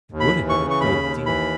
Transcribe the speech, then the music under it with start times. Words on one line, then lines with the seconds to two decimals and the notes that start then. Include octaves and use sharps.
It would have been a good deal.
0.12 D#2
0.20 B5
0.35 E3
0.49 C#6
0.58 C#3
0.70 C#6
0.80 D#2 B5
1.03 D#2
1.26 E3 B5